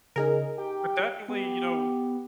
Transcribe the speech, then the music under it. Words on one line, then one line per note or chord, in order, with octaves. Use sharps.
but, definitely, you know,
C#3 D#4 G#4 A#4
G4 G5
B3 G4